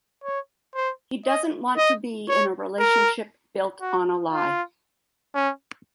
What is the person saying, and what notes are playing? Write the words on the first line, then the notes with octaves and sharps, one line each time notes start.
He doesn't want to be in a relationship built on a lie.
C#5
C5
D#5
D#5
C#5
A#4
F#4
F4
C#4